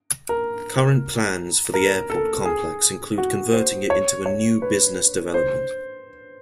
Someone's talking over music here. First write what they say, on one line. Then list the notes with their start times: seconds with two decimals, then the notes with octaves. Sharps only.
Current plans for the airport complex include converting it into a new business development.
0.29 A#4
1.74 A#4
2.10 A4
2.45 G#4
3.18 F#4
3.53 C5
3.90 C#5
4.26 C#5
4.62 B4
5.34 C5